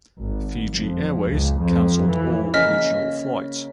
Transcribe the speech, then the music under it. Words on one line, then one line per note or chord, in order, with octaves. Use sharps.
Fiji Airways cancelled all regional flights.
G#1
F2
C#2
F2
E3
C#3 A#3 D#5 F6 B6